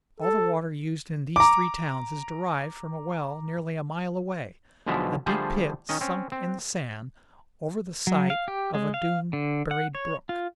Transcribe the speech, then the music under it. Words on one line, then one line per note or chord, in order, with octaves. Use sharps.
All the water used in these three towns is derived from a well nearly a mile away--a deep pit sunk in the sand, over the site of a dune-buried brook.
A4
A#5 D6
B1 B2 D3 F3 G#3 E5
D3 F3 G3 A3 G#4 C5
D#3 C#4 D#5
C4 C#4
C4
F#3
F5
G4
G#3
F5
D3
F#5
C#5
F4